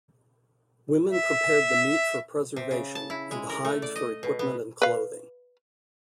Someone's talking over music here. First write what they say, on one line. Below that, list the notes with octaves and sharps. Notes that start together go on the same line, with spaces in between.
Women prepared the meat for preservation and the hides for equipment and clothing.
E5
C3
C#3
A5
E4
G#3
A#4
A3
D5
D#5
B2
B3
B4 F5